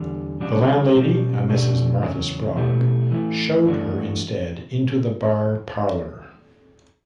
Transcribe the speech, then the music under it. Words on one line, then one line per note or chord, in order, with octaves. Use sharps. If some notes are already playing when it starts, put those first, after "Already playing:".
The landlady, a Mrs Martha Sprague, showed her instead into the bar parlour.
Already playing: E2 D3 G3
C#3 G3 D4 F#4
B2 G3 C#4 G4
B2 A3 D4 G4
E2 C#3 F#3
B2 A3 E4 G4
E3 A3 E4
G2 E3 A3 D4 F#4